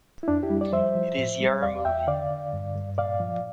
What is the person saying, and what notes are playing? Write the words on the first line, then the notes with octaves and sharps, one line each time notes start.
It is your movie.
E4
F2 D4
E4 G4
G3
D5
F3 C5 E5
F3
A2
G3
E2 D5 F5
E2 E5 G5
D3 D5 F5
D3
G2
G2
A#2 D5 F5
F3